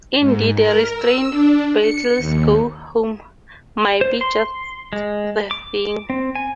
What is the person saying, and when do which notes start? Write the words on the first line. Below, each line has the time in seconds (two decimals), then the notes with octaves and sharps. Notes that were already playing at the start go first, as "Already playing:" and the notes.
Indeed a restrained 'Beatles go home' might be just the thing.
0.20 G#2
0.58 A#4
0.96 E6
1.30 D4
1.80 C#7
2.18 D#2
4.01 C5
4.21 C6
4.93 G#3
5.51 D6
6.10 C4
6.35 G#5